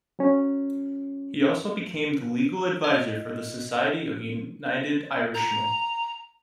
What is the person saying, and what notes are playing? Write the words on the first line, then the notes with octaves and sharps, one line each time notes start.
He also became the legal adviser of the Society of the United Irishmen.
F#3 C#4
D#5
A#5